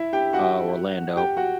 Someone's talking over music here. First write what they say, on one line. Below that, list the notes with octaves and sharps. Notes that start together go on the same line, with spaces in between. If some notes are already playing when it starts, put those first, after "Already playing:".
uh, Orlando.
Already playing: E4 E5
G4 G5
F#4 F#5
G4 G5
F#4 F#5